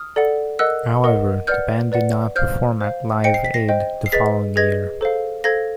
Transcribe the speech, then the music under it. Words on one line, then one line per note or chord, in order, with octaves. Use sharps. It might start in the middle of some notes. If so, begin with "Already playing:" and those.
However, the band did not perform at Live Aid the following year.
Already playing: D#6 F6
A4 D5 F#5
A#4 D#5 F#5 E6 F#6
A#4 D#5 F#5
B4 D5 F#5 F6 G6
B4 D5 F#5
C5 F5 F6 G6
C5 F5
C5 D#5 G5 C#7
C7
B6
A#6 C7
C5 D#5 G5
C7
G#4 B4 D#5 A6 B6
G#4 B4 D#5 G#6 A#6
A4 C5 F5
A4 C5 F5 G#6 A#6